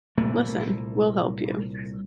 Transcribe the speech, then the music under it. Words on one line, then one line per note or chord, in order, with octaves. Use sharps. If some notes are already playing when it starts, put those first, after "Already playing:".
Listen, we’ll help you.
C2 A#2 A3 A#3